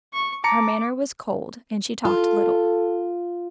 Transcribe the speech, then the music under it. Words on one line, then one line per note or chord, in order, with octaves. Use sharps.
Her manner was cold, and she talked little.
C#6
A5 A#5 D6 C#7
F4 A4